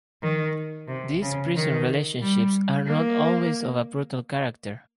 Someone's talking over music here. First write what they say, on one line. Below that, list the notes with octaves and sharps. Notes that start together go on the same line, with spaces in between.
These prison relationships are not always of a brutal character.
D#3
C3
C#3
D#3
G3
A#3